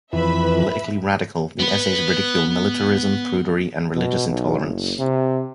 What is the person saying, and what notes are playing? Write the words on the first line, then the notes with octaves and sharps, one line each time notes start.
Politically radical, the essays ridicule militarism, prudery, and religious intolerance.
F2 E3 B4 E5 B5
B3 B4
B2
B1
F#1
C3